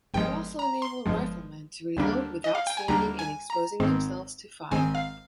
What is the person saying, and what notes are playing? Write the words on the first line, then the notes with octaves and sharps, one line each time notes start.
It also enabled riflemen to reload without standing and exposing themselves to fire.
G1 G2 F3 G#3 G5
A#5
C6
G1 G2 F3 G#3
D#2 D3 G3 A#3 D4
D#5
F5
G5
G#5
D#2 D3 G3 A#3 D4 A#5
G#5
A#5
G#1 G#2 D#3 G#3 C4
G#1 G#2 D#3 G#3 C4 G#5
F5